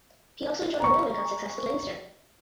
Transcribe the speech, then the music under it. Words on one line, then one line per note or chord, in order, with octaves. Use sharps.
He also enjoyed Railway Cup success with Leinster.
A#5 C#6